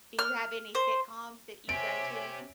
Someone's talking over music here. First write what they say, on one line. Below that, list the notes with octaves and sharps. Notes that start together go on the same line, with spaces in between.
Do you have any sitcoms that you go to?
F6
C5
C4 G4 C#5 E5 G#5 D7